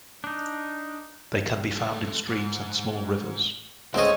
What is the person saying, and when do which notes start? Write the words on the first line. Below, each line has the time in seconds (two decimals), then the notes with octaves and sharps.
They can be found in streams and small rivers.
0.24 D4 D#4
1.71 G3 A3
2.27 G#2
3.94 C#2 G#3 A3 C4 C#4 D#5